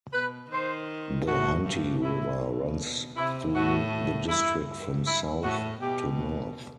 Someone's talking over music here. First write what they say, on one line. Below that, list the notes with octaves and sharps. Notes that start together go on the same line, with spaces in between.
The Hunte River runs through the district from south to north.
B2 B4
D#3 C5
A2 F#4
G2
A2 E4
B2
C3 E4
A2 F#4
G2 E4
E4
A2 F#4
B2 G4